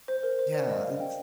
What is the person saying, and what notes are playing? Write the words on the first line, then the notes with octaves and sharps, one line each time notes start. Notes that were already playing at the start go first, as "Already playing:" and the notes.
Yeah, it's
C5
A#4
C5
D5
D#5
F5
G5